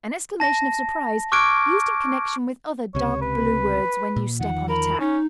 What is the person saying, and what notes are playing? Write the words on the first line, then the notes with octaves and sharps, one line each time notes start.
An exclamation of surprise used in connection with other dark blue words when you step on a tack.
A5 A#6
C#6 D6 F6 F#6 G#6 D7
C#2 C3 C#5
B4
A#2
E2 D#3 F3 F#5
A#4 B5
C#4 D#4